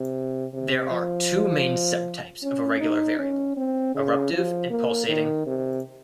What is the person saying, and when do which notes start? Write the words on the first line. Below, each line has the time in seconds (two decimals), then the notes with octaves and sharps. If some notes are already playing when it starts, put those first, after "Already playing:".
There are two main sub-types of irregular variable: eruptive and pulsating.
Already playing: C3
0.53 C3
0.91 F3
2.43 C#4
2.80 D#4
3.19 C#4
3.57 C4
3.95 C#3
4.33 F3
4.70 A#3
5.09 D#3
5.46 C3